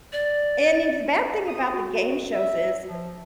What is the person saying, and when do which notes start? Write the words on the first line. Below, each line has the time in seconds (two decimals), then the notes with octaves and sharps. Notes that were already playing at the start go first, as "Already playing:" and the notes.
and and the bad thing about the game shows is,
0.13 D5
1.48 D#6
1.73 F#4
2.33 E5
2.87 F3